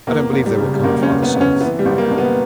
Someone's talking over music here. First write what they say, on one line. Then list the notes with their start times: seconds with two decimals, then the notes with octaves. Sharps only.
I don't believe they will come farther south.
0.07 E2 A#3
0.33 F#1
0.46 G3
0.58 C#3
0.74 G3
0.83 F#1 A#3
1.03 C#4
1.10 F#1
1.22 B3
1.35 F#1
1.41 C#4
1.61 E3 B3
1.79 G3
1.85 F#1
1.98 A#3
2.11 F#1
2.18 B3